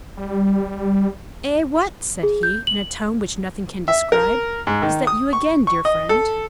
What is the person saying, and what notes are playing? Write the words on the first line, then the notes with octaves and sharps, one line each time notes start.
"Eh! what!" said he, in a tone which nothing can describe, "is that you again, dear friend?"
G3
G#4
G6
F#7
E5
A#4
G#2
D#3
D#6
C#6
C#6
D#5
A4